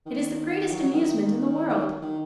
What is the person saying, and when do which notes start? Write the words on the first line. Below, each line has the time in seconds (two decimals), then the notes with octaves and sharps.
It is the greatest amusement in the world!
0.06 D#3
0.71 F#3
0.82 F#3
0.93 D#3
1.69 D#3
2.02 D#3